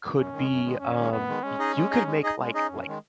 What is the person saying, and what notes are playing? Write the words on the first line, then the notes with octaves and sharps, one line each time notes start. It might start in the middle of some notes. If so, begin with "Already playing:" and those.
could be, um, y you could make like like,
F#2 C#4
D#3 G#3
F#2
D#3 G#3
F#2 C#4
D#3 G#3
F#2 B3
D#3 G#3
G#3 C#4
D#4 G#4 D#5
G#3
D#4 G#4 D#5
G#3
D#4 G#4 D#5
G#3 C#4
D#4 G#4 D#5
F#2
D#3 G#3